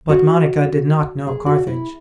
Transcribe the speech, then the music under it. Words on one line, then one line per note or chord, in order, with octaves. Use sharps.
But Monica did not know Carthage.
F#4
G#4
F#4
E4